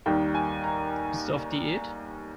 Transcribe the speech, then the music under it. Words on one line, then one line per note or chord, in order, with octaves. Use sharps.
Bist du auf Diät?
D#2 D#3 G3 G5
G#5
A#5